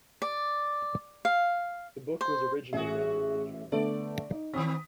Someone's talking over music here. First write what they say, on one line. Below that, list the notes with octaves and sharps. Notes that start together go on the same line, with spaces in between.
The book was originally written in German.
D5
F5
C5
A1 F#4 G#4 E5
D3 A3 B3 D5
D#4
D#3 C4 D#6 B6